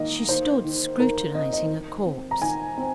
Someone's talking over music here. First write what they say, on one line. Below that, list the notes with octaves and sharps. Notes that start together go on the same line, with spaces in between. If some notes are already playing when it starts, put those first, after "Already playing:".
She stood scrutinising a corpse.
Already playing: D#3 A#3 D#5
D#3 C5
D#3
D#3 A#4
C4 D#5
D#5
D#3
C4
A#5
D#3 G#5
C4